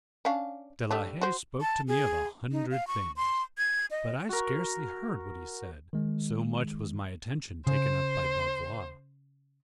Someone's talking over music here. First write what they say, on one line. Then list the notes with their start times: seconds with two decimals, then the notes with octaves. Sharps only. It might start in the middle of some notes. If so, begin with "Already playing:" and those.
De la Haye spoke to me of a hundred things, but I scarcely heard what he said, so much was my attention taken up by Bavois.
0.25 C#4 D4 F5
0.91 G3 A3 D4
1.21 F#4 C5
1.61 A5
1.88 G#4
2.52 D#4
2.71 F5
2.87 C#6
3.16 C6
3.58 G#6
3.91 D#5
4.29 F#4 A#4
5.93 D#3 G#3
7.67 C#3 C5